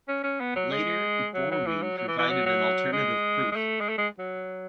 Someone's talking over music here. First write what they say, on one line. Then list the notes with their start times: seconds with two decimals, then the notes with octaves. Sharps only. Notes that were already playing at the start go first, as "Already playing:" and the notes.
Later, Borwein provided an alternative proof.
0.08 C#4
0.24 C#4
0.41 B3
0.56 F#3
0.72 G#3
1.34 F#3
1.51 F#3
1.67 E3
1.82 F#3
1.98 F#3
2.08 E3
2.19 E3
2.30 F#3
2.46 F#3
2.93 G#3
3.52 G#3
3.56 A3
3.81 G#3
3.89 A3
3.98 G#3
4.19 F#3